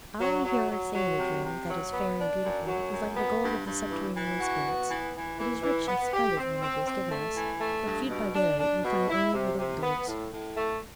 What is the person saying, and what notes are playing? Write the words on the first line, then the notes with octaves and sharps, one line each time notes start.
All we hear or say in a dream that is fair and beautiful is like the gold of the subterranean spirits; it is rich and splendid when it is given us, but viewed by daylight we find only withered leaves.
F#3
F#3
F#3
F#3
C3
C3
F#3
B3
D4
F#2
F#3
F#2
B3
G2
G2
E3
E3
F#4
B3
E3
E3
E3
E3
B3
G4
C4
C4
C4
A3
E3
A3
G2
B2
D4
D4
B2
E4
C3
C3
B3
A2
A2
A3